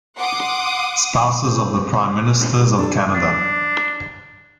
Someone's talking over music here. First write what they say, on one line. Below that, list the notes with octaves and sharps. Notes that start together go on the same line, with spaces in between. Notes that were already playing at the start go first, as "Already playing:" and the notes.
Spouses of the Prime Ministers of Canada.
F#5 C6 D6 D#6
C4 F4 G#4
G#5
F#3 G3
D4 A4
D4